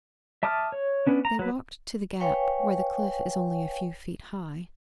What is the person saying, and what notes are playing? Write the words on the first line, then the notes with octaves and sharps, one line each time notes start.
They walked to The Gap, where the cliff is only a few feet high.
E5 A5 D6 D#6 F6
C#5
B3 C#4 D4
A#5
F#3 B4
B4 C#5 F5 G5 G#5 C#6